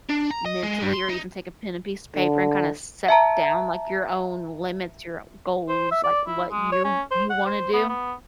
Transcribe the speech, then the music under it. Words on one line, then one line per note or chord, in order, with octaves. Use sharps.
m mentally or even take a pen, and piece of paper, and kinda set down, like, your own limits, your goals, like, what you you wanna do.
D4
A#5
D#5
G#3
G2
C6
D#4
D3
E5 A5 A#5
C5
E5
D5
E4
G#3
C#5
C#4
C5
F#5
C5
B3
B3